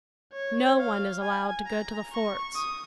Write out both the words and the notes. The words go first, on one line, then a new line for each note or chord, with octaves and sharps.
No one is allowed to go to the forts.
C#5
F5
G#5
A#5
C#6
D#6